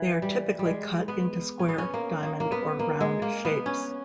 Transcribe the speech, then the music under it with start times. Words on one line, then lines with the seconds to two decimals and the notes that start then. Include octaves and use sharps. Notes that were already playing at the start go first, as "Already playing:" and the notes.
They are typically cut into square, diamond, or round shapes.
Already playing: E3
0.22 G3
0.59 G3
0.66 G#3
1.08 B3
1.59 C#4
1.68 B3
1.78 C#4
1.94 A#3
2.23 A#3
2.40 A#3
2.52 B3
2.79 A#3
3.01 G#3
3.22 A#3
3.45 B3
3.66 C#4